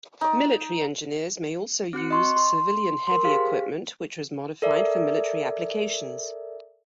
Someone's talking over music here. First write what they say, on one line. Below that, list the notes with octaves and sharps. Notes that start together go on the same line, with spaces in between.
Military engineers may also use civilian heavy equipment which was modified for military applications.
D#4 D5
C4 F#4 F#6 C#7
D#5 C6 C#6
C6
A#4 C6
G4 G#4 C5 F5 B6
A4 A#4 D5 E5